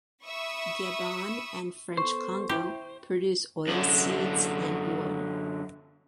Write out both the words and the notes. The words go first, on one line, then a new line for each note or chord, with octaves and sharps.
Gabon and French Congo produce oilseeds and wood.
E5 B5 C#6 D#6 E6
B3 A4 C5 C#6
E4 G4
F#2 D3